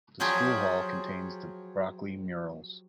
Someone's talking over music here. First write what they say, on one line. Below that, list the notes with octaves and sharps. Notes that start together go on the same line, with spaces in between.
The School hall contains the 'Brockley murals'.
F3 F#3 F4 G4 G#4